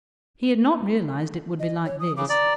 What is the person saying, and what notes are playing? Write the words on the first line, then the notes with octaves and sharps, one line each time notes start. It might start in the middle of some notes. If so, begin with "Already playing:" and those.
He had not realized it would be like this.
D#5
C#5
D#6
C#3 D6
D5 A#5